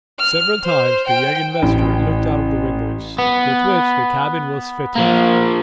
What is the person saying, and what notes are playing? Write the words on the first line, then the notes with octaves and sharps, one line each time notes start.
Several times the young investor looked out of the windows with which the cabin was fitted.
F6
C5
G5
A1
B3
F3 A#3